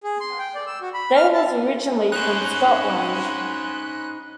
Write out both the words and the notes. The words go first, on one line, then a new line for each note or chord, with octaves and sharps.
Dave was originally from Scotland.
G#4
C6
G5
D5
E6
F#4
B5
F6
A5
C#4 D#4 C5 B5 F#6